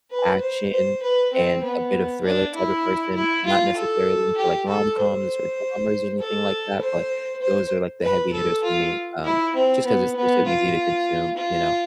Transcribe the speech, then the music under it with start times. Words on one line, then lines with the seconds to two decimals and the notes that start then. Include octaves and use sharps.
action, and a bit of thriller type of person. Not necessarily into like rom-coms or dramas or anything like that, but those are, like, the heavy hitters for me, um, just 'cause it's they're so easy to consume, you know?
0.11 B4
0.41 C5
0.72 C5
1.02 B4
1.33 C4
1.63 B3
2.24 D4
2.55 E4
3.15 E4
3.46 F4
3.77 A4
4.37 G4
4.67 A4
4.98 C5
6.20 A4
6.81 C5
7.42 C5
8.02 B4
8.33 A4
8.64 F4
9.24 E4
9.55 C4
9.85 B3
10.16 B3
10.46 F4
11.37 F4